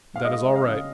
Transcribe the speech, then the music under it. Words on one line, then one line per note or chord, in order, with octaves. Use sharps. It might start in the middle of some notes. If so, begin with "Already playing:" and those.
"That is all right."
F5
G#3 D#5
G#3
F5
C#3